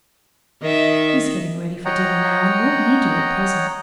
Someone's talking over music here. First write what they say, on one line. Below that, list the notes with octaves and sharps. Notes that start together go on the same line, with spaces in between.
"He's getting ready for dinner, now, and won't need you at present."
D#3 D#5 E5
C#5 D#5 F#5 G5 A#5